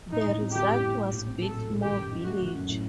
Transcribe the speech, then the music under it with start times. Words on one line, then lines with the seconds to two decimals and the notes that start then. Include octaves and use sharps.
The result was Biltmore Village.
0.12 A2 D#4
0.27 A1
0.40 C4
0.55 G3 G4
0.69 A2
0.83 A1
0.98 A2
1.12 A#1
1.27 C4
1.40 F#3 A4
1.55 A2
1.69 A#1
1.84 D#3 G4
1.97 F#2
2.12 D#4
2.26 A3 F#4
2.41 D#3
2.54 F#2
2.69 A2